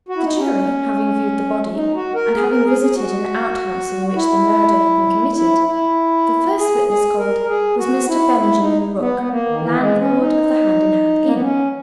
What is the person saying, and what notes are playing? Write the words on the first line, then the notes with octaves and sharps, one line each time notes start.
The jury having viewed the body, and having visited an outhouse in which the murder had been committed, the first witness called was Mr. Benjamin Rook, landlord of the Hand-in-Hand inn.
F#4
E4
D#4
C#4
D#4
F#4
A#4
G#4
A#4
G#4
G#4
F#4
F#4
E4
E4
E4
G#4
G#4
A#4
G#4
F#4
E4
E4
D#4
B3
B3
A#3
D#3
E3
G#3
C#4
D#4
A#3
B3
C#4